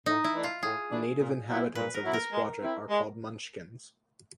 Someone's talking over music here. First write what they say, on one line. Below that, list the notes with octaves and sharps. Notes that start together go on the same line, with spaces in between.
The native inhabitants of this quadrant are called Munchkins.
A2 D#4
E4
E3 A3 D4
F4
A2 G#4
E3 A3 D4
A#2
F#3 B3 E4
A#2 B4
A#4
F#3 B3 E4
A#4
G#3
C4 E4
G#3